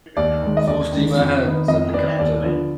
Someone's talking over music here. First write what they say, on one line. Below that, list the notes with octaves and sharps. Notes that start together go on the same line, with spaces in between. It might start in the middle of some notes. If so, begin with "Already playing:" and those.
"Full steam ahead," said the captain.
D#2 D5
D#3 G#3
D#5
D#2 D5
D#3 G#3
F2
D#3 B3
F2 D#5
D#3 B3 D5
D#2 D5
D3 F3 B3